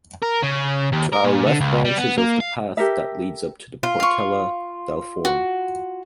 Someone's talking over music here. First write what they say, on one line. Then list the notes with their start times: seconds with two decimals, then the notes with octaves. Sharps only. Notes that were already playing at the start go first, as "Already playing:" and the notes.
To our left branches off the path that leads up to the Portella del Forn.
0.22 A#4
0.43 C#3
0.93 D#2
1.13 A#4
1.25 A#2
1.46 D3
1.60 C#2
1.85 G3
1.98 B3
2.18 A#3
2.40 F5
2.77 G4 A4 A#4 E5
3.83 F4
4.00 F5 C#6
5.25 F#4